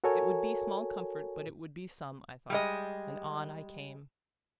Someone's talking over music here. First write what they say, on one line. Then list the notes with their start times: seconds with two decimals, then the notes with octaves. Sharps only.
It would be small comfort, but it would be some, I thought, and on I came.
0.04 F#4 A4 A#4 C#5 G#5
2.50 G3 G#3 D#5